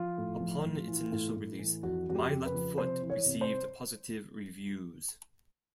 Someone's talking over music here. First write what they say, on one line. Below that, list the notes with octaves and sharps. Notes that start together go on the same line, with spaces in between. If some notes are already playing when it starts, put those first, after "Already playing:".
Upon its initial release, "My Left Foot" received positive reviews.
Already playing: F3 F4
A2
F3
A2
E3
A2
A2
E3
F2 F#4
F2 F#4
G4
C#3
B4
F3
C3 C5
E3
C#5
C3
C5